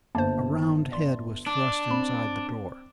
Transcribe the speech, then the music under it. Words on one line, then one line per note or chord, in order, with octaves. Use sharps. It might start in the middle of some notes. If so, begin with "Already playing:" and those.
A round head was thrust inside the door.
G1 A#3 C5 A5
D5 C6
D4
C4 B5